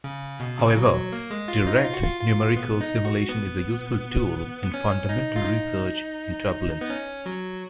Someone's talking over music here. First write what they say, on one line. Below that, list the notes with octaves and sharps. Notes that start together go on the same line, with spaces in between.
However, direct numerical simulation is a useful tool in fundamental research in turbulence.
C#3
B2
C#3
F#3
F#3
A#3
G#3
F4
D#4
F4
F#4
F4
F4
B3
D#4
F#4
B3
B3
C#4
D#4
F4
D#4
B3
C#4
F#3